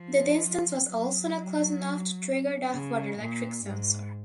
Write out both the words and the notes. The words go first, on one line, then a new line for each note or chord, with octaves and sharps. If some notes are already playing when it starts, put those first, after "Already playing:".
The distance was also not close enough to trigger the photoelectric sensor.
Already playing: F3
F#3
C#3
A#2
G#2